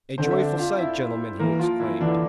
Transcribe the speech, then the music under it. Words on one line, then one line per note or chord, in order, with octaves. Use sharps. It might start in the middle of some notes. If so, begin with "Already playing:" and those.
"A joyful sight, gentlemen!" he exclaimed.
D3 C4 C5
E5
D4 D5
F4 F5
E4 E5
E3 A#3 A#4
F3 F4
E3 E4
D3 E3 D4